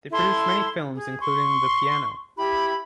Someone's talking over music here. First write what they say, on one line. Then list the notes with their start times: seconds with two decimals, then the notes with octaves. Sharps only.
They produced many films including "The Piano".
0.11 E4 A4 C6
0.95 G#4
1.20 C6 C#6
2.36 E4 G4 B5